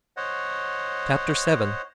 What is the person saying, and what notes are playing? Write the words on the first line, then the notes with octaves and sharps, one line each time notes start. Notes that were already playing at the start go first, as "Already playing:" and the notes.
Chapter VII.
C5 C#5 D#5 F#5